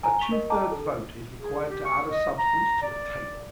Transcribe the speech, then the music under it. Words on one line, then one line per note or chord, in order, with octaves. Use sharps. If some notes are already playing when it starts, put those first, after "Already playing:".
A two-thirds vote is required to add a substance to a Table.
G#5 A#5
C#6 B6 F7 G7
A#4 D#5
D#5 G5 A5 A#5 D6
A4
G#4
G4
C#6
D#5
A#5
D5